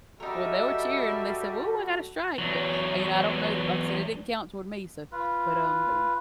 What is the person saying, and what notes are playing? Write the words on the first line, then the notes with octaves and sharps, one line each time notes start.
Well, they were cheering, they said, "Whoo, I got a strike," but, uh, you know, I don't know like I said, it didn't count toward me, so but, um b
G3 D#4 F#4 A4 A#4 E5
E2 F#3
F4 B4